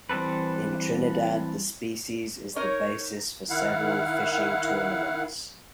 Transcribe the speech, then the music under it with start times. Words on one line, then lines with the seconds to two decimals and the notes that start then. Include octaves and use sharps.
In Trinidad, the species is the basis for several fishing tournaments.
0.09 E3 G3 C4 A4 B4
2.56 D#4 A#4 C#5
3.49 D#3 E4 F5 F#5